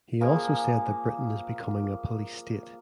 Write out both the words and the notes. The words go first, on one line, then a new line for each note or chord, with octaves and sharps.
He also said that Britain is becoming a police state.
F3 A#3 G#4